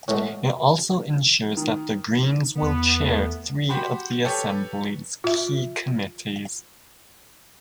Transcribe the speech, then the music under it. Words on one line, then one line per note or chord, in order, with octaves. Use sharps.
It also ensures that the Greens will Chair three of the Assembly's key committees.
A2 E3 G#3 A3 B3
D#3
E2 B3
A3
F#4 G4 B5 C6
G4 A4 B4 C#5
F4 E5